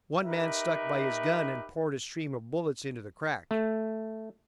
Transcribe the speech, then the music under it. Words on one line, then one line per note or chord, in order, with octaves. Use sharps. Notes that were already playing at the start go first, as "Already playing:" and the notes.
One man stuck by his gun and poured a stream of bullets into the crack.
D#4 G4 A#4 B4 E5
A3